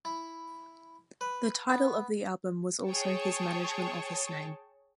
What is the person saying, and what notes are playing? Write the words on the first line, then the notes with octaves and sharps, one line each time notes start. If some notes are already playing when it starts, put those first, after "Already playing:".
The title of the album was also his management office name.
E4
B4
B3
G#4 C#5 G5 A5 C#6